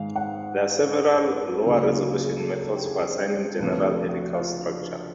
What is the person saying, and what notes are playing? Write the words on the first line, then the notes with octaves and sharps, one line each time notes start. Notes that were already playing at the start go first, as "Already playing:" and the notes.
There are several lower-resolution methods for assigning general helical structure.
Already playing: G#2 D#3 G#3 F5
F#5
C5
B4
A#4
A4
D2 C#3 F#3 A#3 E4
F4
G#4
A4
A#4
A4
G4
G#4
G4
C5
C5
D2 C3 F3 A3 B4
A4
F#4
F4